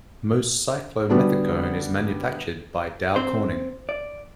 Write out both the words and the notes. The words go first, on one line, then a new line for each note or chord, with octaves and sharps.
Most cyclomethicone is manufactured by Dow Corning.
D3 G3 B3 D4 F#4
C4 C5
D5